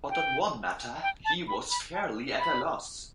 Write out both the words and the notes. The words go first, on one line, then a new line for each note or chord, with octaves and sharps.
But on one matter he was fairly at a loss.
G5
G5
A5
B5
B5
A5
B5